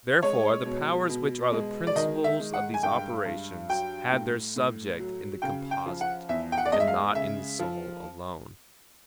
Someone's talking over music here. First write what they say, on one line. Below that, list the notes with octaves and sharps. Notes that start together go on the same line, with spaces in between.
Therefore the powers which are the principles of these operations have their subject in the composite, and not in the soul alone.
G#3 C#5
B2
B2
G#3
D5
D#3 D#5
E5
G#3
F#5
G#5
G2 G5
G2
F#3 G5
A2
A2
F#3
C#3 G5
G5
F3
F#5
E2 E5
G5
F#5
D5
G#3 D#5
E5
F5
C#3 E5
F3